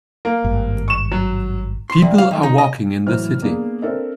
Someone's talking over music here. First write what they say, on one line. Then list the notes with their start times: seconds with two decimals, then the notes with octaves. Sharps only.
People are walking in the city.
0.25 A#3
0.44 G#1 G2
0.88 C#6 E7
1.11 F#3
1.90 C6
2.02 C2
2.18 F5
2.31 D#3
2.43 D#4
2.58 D#5
3.07 A2 E3 F#3 C5 F6
3.42 A#3 B3 D4 G#4
3.82 C4 D4 A4 A#4 E5